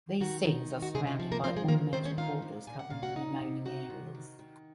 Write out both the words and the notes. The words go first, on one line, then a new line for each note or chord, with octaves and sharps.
These scenes are surrounded by ornamental borders covering the remaining areas.
D#3 F#4
D#3
D#4
F#4
C3 G#3 G#4
F4
F3 F#4
A#3 A#4
F3 C4 C5
G#3 G#4
D#3 A#3 A#4
D#3 C4 C5
C#4 C#5
D#4 F4 F5
C3
A#2 G#5
F#5
A#2 F5
F#4 F#5
D#4
C3
D#4 F#4 F#5
C3
D#3
D#3